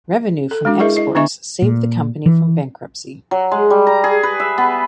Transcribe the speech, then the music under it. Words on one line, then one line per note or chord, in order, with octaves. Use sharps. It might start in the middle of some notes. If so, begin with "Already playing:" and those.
Revenue from exports saved the company from bankruptcy.
A4
G#3 D4 F#4
E4 G#4 A#4 D#5 E5
E4 D#5
D3 B3 D4 D#5 E5 C#6
A#2
E3
F#3
G#3
G3
A#5
G#4
B4
E5
B3